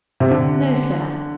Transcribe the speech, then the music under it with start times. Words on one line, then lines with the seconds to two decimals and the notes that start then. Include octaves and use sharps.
"No, sir."
0.20 C3
0.31 D3